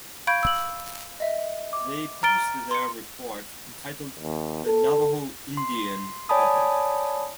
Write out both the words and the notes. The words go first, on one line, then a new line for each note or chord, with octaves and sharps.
They published their report, entitled "The Navajo Indian Problem".
F5 B5 C#6 G6 G#6 D7
E6 F#7
D#5 E5
D6
A#5 F6 A6 D7 G7
C6 C#7
D#2
A4
C6
C#5 D5 G#5 A5 B5 D#6